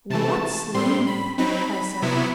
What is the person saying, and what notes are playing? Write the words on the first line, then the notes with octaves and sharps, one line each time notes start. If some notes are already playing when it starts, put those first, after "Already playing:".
"What sleep!" I said.
C3 E3 A3 A5
A2 G3 C4 C6
B5
F#3 C4 D#4 B5
C3 F#3 B3 E4